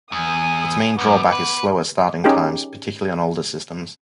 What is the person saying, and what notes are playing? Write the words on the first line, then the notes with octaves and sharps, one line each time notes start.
Its main drawback is slower starting times, particularly on older systems.
E2 G#5 D#6
F#2 B3 D6
B4
C#4 D#4 G4 G#4 G5